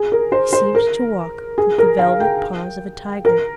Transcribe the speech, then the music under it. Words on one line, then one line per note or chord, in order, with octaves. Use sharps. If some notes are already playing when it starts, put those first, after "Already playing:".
He seemed to walk with the velvet paws of a tiger.
Already playing: G#4
A#4
C5
C5
A#4
G#4
A#4
F5
G5
A#4